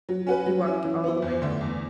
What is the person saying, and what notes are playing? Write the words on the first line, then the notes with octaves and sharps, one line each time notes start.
He walked all the way home.
F#3
C#4 F#4 B4
F#3
C#4 E4
E3
B3 E4
E2
D3 A3 D4
E2